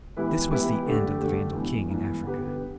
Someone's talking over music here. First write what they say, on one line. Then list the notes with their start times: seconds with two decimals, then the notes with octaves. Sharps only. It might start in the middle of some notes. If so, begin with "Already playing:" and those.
This was the end of the Vandal king in Africa.
0.17 E3 B3 E4 G4 B4
0.51 E3 B3 E4 G4 B4
0.86 D3 A3 D4 G4
1.20 D3 A3 D4 G4
1.54 G2 E3 B3
1.89 G2 E3 B3
2.23 D3 B3 G4 B4